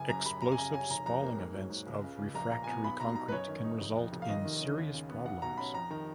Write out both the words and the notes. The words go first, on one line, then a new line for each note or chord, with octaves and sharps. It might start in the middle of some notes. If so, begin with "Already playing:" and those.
Explosive spalling events of refractory concrete can result in serious problems.
Already playing: F#1 G#5
F#2 A#5
F#1 B5
F#2 A#5
G#5
C#3 A#5
C#4 G#5
F1 A#5
F2 A#5
A#3
G#2
F#3
G#2
C#2
C#3
C#2
A#1 A#5
A#2 A#5
G#5
B3 A#5
B1 B5
B2 A#5
D#4 A#5
B4
F#2 C#5
D#3
D#4
F1
F2
F1
F5
D#2 D#5
D#3
C#4
D#2
C#3
B3
B1 F#5
B2 A#5
C#4 B5
F2 A#5
D#3 A#5